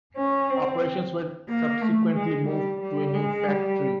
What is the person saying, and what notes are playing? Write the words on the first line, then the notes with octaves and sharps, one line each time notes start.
Operations were subsequently moved to a new factory.
C#4
C4
A#3
A3
G#3
G3
G3
G#3
G3